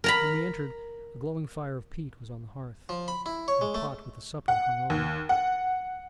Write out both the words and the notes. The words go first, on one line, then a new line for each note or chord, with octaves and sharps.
When we entered, a glowing fire of peat was on the hearth, and the pot with the supper hung over it.
A#4 A#5 B5
F3
B5
E4
C#5
G#3
A3
F#5
D#2
F#5